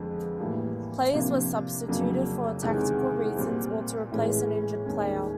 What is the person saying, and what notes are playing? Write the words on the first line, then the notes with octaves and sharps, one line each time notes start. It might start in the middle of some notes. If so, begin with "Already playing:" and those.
Players were substituted for tactical reasons or to replace an injured player.
Already playing: F2 D3 F3 G#3 B3
A2 E3 G3 A#3
C3 F3 A#3 D4 F4
F2 C#3 F#3 A#3 D4
E2 C3 D#3 G#3 C#4
A#2 G3 C4
A2 E3 G#3 C#4
D#2 D#3 G#3 C#4